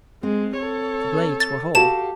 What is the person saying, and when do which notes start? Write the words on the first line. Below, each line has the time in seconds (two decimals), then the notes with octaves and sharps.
The blades were whole.
0.23 G#3 C4
0.58 A4 C#5
1.40 A6
1.75 F#4 G4 A4 F5 A5 E7